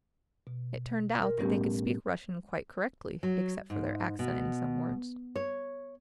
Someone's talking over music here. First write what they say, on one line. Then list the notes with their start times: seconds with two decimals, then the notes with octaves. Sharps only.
It turned out that they could speak Russian quite correctly except for their accent in some words.
0.47 B2
1.23 A#4
1.38 A2 G3 A3 B3 C#4 G4
3.23 F#3
3.70 G#2
4.19 B2
5.36 C#5